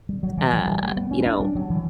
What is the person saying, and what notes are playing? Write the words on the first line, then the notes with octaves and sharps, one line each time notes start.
uh, you know,
G3
F#3
E3
F#3
G3
A3
B3
C#4
D4
G3
F#3
E3